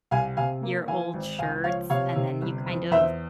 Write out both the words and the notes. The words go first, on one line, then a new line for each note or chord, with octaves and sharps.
your old shirts, and then you, kind of,
C2 F5 G#5
C3 F5 G#5
A#3
E3 F5 G#5
G#1
C#2 F5 G#5
F3 C#5 F5
C3 C#5 F5
C3
G1
F2
E2 C5 E5